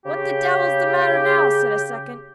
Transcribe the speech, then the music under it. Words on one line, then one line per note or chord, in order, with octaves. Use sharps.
"What the devil's the matter now!" said a second.
C#3 G4